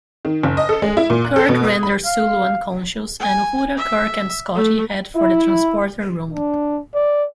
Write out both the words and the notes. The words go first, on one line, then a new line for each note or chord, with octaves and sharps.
Kirk renders Sulu unconscious, and Uhura, Kirk, and Scotty head for the transporter room.
D#3
F#1
D#5
A4
G#3
E4
A#2
F#6
A4
B2
D#6
B5
F5
G#5
E5
A3
E4
D4
D5